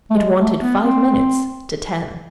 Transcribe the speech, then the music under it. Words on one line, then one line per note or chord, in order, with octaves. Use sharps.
It wanted five minutes to ten.
A3
G#3
A3
B3
C4